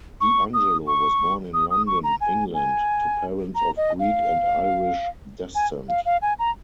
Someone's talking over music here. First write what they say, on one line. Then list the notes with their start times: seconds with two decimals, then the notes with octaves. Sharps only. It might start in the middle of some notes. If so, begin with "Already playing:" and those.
Di Angelo was born in London, England, to parents of Greek and Irish descent.
0.21 C#6
0.54 D#6
0.87 C#6
1.54 D#6
1.71 D#6
1.87 C#6
2.04 A#5
2.21 G#5
2.54 G#5
3.55 A#5
3.77 D#5
3.99 F5
5.55 G#5
5.89 F5
6.06 F5
6.22 G#5
6.39 A#5